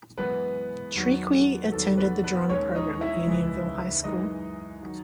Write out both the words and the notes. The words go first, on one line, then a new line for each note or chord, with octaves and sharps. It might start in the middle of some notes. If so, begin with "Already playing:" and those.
Chriqui attended the drama program at Unionville High School.
F#2 E3 G#3 B3 B4
E2 D#3 F#3
E2 D#3 F#3 A4
B3 B4
B3 B4
D#2 D#3 G#3 C#4 C#5
D#4 D#5
E4 E5
C#2 C#3 E3 G#3
F#2 E3 G#3 D#4 D#5
D#3 F#3